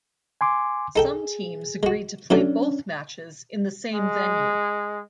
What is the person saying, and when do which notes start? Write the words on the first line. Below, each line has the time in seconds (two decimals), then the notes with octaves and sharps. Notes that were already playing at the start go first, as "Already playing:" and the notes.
Some teams agreed to play both matches in the same venue.
0.41 G#5 C6 D6
0.96 D#4 G#4 A4 G5
1.83 G#3 F#4
2.30 E3 F#3 A3 C#4 D4
3.92 G#3